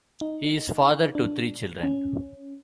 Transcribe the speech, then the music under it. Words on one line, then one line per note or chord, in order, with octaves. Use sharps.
He is father to three children.
D#4
D4
C#4